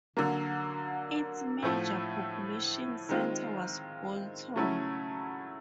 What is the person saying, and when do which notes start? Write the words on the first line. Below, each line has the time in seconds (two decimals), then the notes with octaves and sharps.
Its major population centre was Bolton.
0.17 D3 F#3 A#3
1.63 A2 F3 A3
3.09 D#3 G#3 C4 F4
4.56 C#3 F#3 A3 C#4 E4